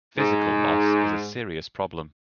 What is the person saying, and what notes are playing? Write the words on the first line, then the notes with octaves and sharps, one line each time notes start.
Physical loss is a serious problem.
G#2